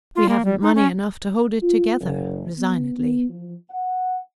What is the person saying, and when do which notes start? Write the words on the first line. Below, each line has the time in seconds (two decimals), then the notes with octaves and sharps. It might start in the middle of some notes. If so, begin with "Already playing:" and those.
"We haven't money enough to hold it together," resignedly.
0.16 F4
0.29 A#3
0.45 G3
0.62 D#4
0.75 C#4
1.63 F4
1.99 F#1
2.58 B3
2.98 B3
3.29 F3
3.70 F#5